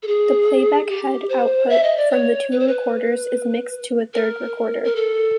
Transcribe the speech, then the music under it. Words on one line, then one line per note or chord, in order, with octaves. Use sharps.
The playback-head output from the two recorders is mixed to a third recorder.
A4
G#4
G4
C5
E5
D#5
D5
C#5
B4
C5
B4
A#4
A#4
A4